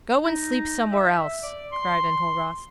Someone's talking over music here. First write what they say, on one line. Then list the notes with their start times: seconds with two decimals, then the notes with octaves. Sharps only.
"Go and sleep somewhere else," cried Enjolras.
0.23 D#4
0.91 E5
1.43 D5
1.72 C6